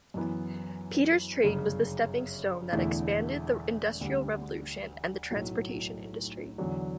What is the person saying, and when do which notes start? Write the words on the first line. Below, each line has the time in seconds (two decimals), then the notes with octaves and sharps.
Peter's trade was the stepping-stone that expanded the industrial revolution and the transportation industry.
0.14 F#2 E3 B3
1.44 G1 F#2 C#3
2.72 E1 E2 D3 A3 E4
4.01 D2 D3 G3
5.31 B1 A2 F#3 A3
6.58 E2 D3 F#3